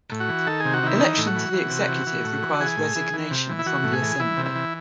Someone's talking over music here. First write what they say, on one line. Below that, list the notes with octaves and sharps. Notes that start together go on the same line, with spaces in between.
Election to the executive requires resignation from the Assembly.
A2
F#4
E3
D#3 A4
G#4
C3
F#4
D#3 E4
E3 D#4
A2
F#4
E3
E3
C3
E3
E3
A2
E3
E3 G#4
A2
E3
E3
C3
E3
E4
E3 F#4
A2
G#4
E3
E3 E4
C3
E4
E3